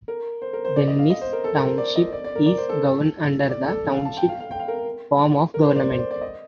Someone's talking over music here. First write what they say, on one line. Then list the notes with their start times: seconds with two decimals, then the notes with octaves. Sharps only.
Dennis Township is governed under the Township form of government.
0.08 A#4
0.42 C5
0.53 A#4
0.65 C5
0.76 D5
0.88 D#5
0.99 F5
1.10 D#5
1.21 C5
1.33 A#4
1.44 A4
1.55 A#4
1.67 C5
1.78 D5
1.96 D#5
2.13 D5
2.24 D5
2.35 A#4
2.46 D5
2.58 C5
2.69 A4
3.49 D5
3.66 A4
3.94 F5
4.05 A5
4.17 G5
4.29 F5
4.40 F5
4.51 G5
4.59 F5
4.68 A#4
5.54 A#4
5.65 C5
5.76 D5
5.88 C5
5.99 D5
6.11 D5
6.21 D#5